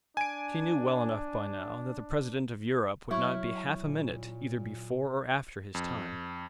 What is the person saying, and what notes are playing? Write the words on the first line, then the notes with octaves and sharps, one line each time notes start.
She knew well enough by now that the President of Europe would not be half-a-minute either before or after his time.
D4 G#5 D7
F#3 E4 C#5 C#6 F6
A#2
F2